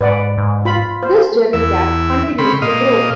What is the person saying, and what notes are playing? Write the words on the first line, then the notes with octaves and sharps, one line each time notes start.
This gender gap continues to grow.
G#2 B4 D5 F#5
G#2
F4 B5
F4 C5
E2 E5
C#3 C4 B5
A#2 D#5 F5